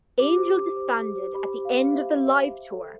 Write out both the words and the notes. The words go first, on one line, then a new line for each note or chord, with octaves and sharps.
Angelfish disbanded at the end of the Live tour.
G4 D6
C5
G4
C5
G4
C5
G4 B5
C5
F5
G4
C5 E5
G4
E5
C5
C5
A4